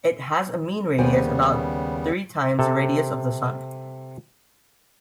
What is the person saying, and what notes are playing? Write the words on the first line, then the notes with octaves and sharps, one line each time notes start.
It has a mean radius about three times the radius of the Sun.
D#2 C#3 G3 B3 C5 G#5
C3 A4